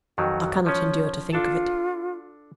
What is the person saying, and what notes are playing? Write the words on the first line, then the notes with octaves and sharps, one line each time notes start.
I cannot endure to think of it.
F2 D#3 F#3 F#4
F3 C#4 C#5
D4 F4 A4 A5